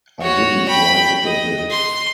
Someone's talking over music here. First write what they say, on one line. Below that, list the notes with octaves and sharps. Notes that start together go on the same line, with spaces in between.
I didn’t like it a bit.
F#4 C#5
G5 B5
D#5
C6